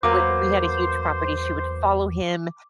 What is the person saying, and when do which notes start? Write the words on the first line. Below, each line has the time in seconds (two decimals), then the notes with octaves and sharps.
would we had a huge property- she would follow him,
0.03 E2 F#3 A#3 B3 C5 D6